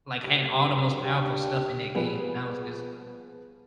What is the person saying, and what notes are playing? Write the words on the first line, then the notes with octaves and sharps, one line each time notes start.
like, had all the most powerful stuff in that game and I was just
D2 C3 G4
G2 C#3 F#3 G3
D#2 D4 G4
F3 G3 B3 G#4